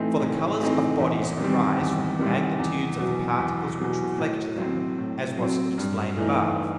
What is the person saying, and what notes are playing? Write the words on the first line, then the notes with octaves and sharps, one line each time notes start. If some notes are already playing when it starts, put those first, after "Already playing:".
For the Colours of Bodies arise from the Magnitudes of the Particles which reflect them, as was explained above.
Already playing: A2 E3 A3 C4 D#4
A2
E3 A3 C4 D#4
E2
D#3 G3 C4
E2
D#3 G3 C4
E2
B2 F#3
E2
B2 F#3
A2
F#3 C4
A2
F#3 C4
G2
E3 A3 D#4